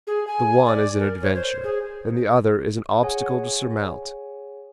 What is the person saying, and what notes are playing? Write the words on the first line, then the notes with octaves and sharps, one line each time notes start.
The one is an adventure, and the other is an obstacle to surmount.
G#4
G#5
D5
A#4
C#5
C5
G#4
G#4 C#5 F#5 G#5